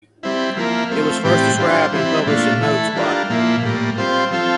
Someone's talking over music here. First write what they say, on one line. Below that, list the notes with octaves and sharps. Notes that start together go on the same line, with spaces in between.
It was first described and published in Notes Bot.
G3 C4 E4
F3 A#3 E4 A#4
F3 A3 C4
A2 E3 G3 C4 G4
G3 D4 F4 C5
E3 G3 C4 E4
A#2 A3 D4 F4
E3 A3 E4 A4
G3 D4 F4 A#4
A#2 F3 A#3 E4
A2 G3 A#3
G3 C4 F4 C5
F3 C4 F4 A4